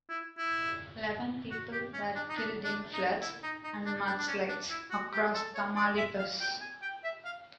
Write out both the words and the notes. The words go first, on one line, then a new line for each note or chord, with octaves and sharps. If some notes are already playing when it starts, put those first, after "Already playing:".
Eleven people were killed in floods and mudslides across Tamaulipas.
E4
E4
F#4
G4
C#4
D4
D#4
D4
D4
D#4
E4
D#4
D#4
D4
D4
D4
C#4
D4
E4
F#4
G4
A4
C#5
D5
E5
F5
G5
G#5
G5
E5
F5